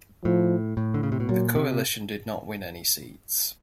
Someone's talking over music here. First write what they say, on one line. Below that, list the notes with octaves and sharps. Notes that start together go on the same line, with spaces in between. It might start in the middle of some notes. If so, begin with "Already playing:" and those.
The coalition did not win any seats.
A2 F3
A2
D3
C#3
C3
B2
A#2 F#3
C3